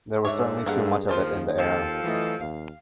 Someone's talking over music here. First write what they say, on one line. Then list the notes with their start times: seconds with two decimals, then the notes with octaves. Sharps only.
There was certainly too much of it in the air.
0.25 G#2 D3 A3 C#5 E5 D6
0.66 G2 A#3 G#4 F5 F#5
1.09 D#2 D#3 F3 F4 C5 A5
1.58 F3 F4 G4 A4
2.04 E3 F#3 A3 D#4
2.40 D#2 F5